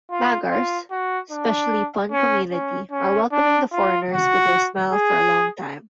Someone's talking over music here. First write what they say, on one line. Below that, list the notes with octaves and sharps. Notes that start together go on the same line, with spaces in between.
Magars specially Pun community are welcoming the foreigners with their smile for long time.
F4
F4
F#4
D4
C#4
C#4
C#4
D4
F4
F#4
G#4